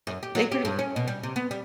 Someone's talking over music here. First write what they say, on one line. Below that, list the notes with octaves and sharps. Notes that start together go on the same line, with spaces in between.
they pretty m
F#2
G4
F#3
G4
G2
C#4
B2
G3
C3
B3
G3